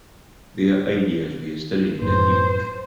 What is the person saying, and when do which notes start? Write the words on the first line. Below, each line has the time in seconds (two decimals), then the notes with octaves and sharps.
Their ideas were studied in depth.
2.02 F#2 A2 B4 C5